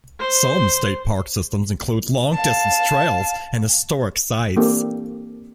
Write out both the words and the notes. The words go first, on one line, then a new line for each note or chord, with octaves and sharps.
Some state park systems include long-distance trails and historic sites.
C5
F5 A5
E3 A#3 C4 D4 G4 A4